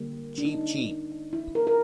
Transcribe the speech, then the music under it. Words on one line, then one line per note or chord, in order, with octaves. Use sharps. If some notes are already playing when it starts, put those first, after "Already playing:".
Cheap, cheap.
Already playing: D3 G3 A#3
D4
D#4
E4
A#4
A#4